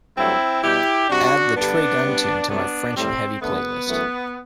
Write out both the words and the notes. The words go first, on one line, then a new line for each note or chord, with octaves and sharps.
Add the trey gunn tune to my French N' Heavy playlist.
G2 F#3 A3 C4 E4
B2 G3 E4 G4
C3 G3 D4 F#4
G2 D3 G3 B3 D4
C3 G3
C3 F#3 A3 B3 D4
A2 G3 C4
F#2 D3 A3 B3
F#2 E3 A3